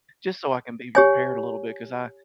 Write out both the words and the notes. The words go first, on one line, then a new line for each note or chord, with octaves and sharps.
just so I can be prepared a little bit 'cause I,
G4 C#5 G#5